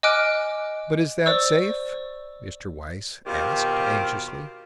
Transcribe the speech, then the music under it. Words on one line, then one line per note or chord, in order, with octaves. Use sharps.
"But is that safe?" Mr. Weiss asked anxiously.
D#5 G#5 D6 F6 F#6 D7
C5 D5 C#6 E6
B2 D#3 C4 F4 G4 F5